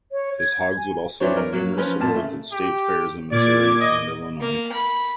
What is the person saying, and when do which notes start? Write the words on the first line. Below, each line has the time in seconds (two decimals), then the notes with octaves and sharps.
His hogs would also win numerous awards at state fairs in Missouri and Illinois.
0.12 C#5
0.39 G#6
0.78 G#5
1.20 E3 F#3 D4 C5 C#5
1.36 A#4
1.52 F#3 A#3
1.77 F3 C#4 B4
2.00 F2 A#2 A5
2.14 C#3 A3
2.52 G4
3.31 A#2 D5 D6 G#6
3.80 D#5
4.41 A#3
4.73 B5